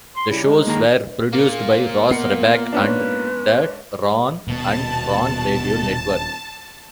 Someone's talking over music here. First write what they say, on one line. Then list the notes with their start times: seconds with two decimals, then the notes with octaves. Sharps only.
The shows were produced by Ross Reback and The Ron and Ron Radio Network.
0.16 C6
0.30 C#3 G3 E4 G4
0.43 G#3 D#4 F5
0.67 D#3 A#3 G#4 A#5
1.33 A#3 F4
2.11 B3 A#4 C7 C#7
2.72 G#2 C#4 D4 B4
4.48 D#1 B2 B3 A5